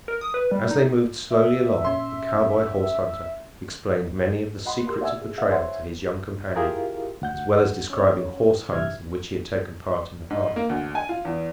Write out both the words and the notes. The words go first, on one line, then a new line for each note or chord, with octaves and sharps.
As they moved slowly along, the cowboy horse-hunter explained many of the secrets of the trail to his young companion, as well as describing horse-hunts in which he had taken part in the past.
A#4
D#6
B4
G3
D#4
E5
A#2 C#4 C6
D#5 F#5 B5 C6
G4 A#4 C6
D5 E5 G#5 E6
G#4
E5
C5 C#5 E5 F#5 G#5 C6
E4 F4 G4 G#4 A#4 F5
D2 F#5 G6
C#4 C#5
C2 G2 E3 E5 F6 G#6
G#2
A#3
D2
G#5
F4
E2